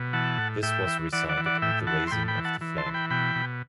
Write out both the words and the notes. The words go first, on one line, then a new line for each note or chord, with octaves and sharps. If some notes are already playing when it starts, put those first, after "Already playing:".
This was recited at the raising of the flag.
Already playing: B2
E3 F#5 A5
A2
A2 E5 G5
E3
E3 D5 F#5
D5 F#5
E3
D5 F#5
A2 E5 G5
E3 F#5 A5
C6
A2 G5 B5
G5 B5
E3
F#5 A5
E3
A5 C6
E3
G5 B5
B2 G5 B5
B2